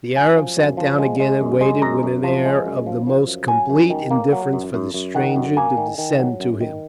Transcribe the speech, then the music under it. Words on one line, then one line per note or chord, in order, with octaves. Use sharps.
The Arab sat down again and waited with an air of the most complete indifference for the stranger to descend to him.
F#2 G#5
F3
F#2
F3
G#3
G#3
F#2
G#3
F#2 A#5
F#2
F3
G#3
F#2
F3
F3
F#2
F#3 G#5
F#2
D#3
A#3
F#3
F#2
F#2
F#2
D#3 F#5
F#2
A#3 G#5
D#3
D#3
F#3
F#2
D#3